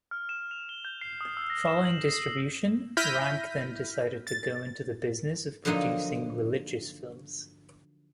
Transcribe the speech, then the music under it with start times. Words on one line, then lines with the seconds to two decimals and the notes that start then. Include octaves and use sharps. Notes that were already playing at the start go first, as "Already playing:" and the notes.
Following distribution, Rank then decided to go into the business of producing religious films.
0.11 F6
0.29 E7
0.51 F7
0.69 G7
0.85 G6
1.01 C7
1.21 D#6
1.37 E6
1.50 A#6
1.67 E7
1.85 F#7
2.09 C7
2.97 E4 F6 G6 A#6 B6 D#7
4.27 A6
5.65 D3 F3 F#3 A#3 D#4 F4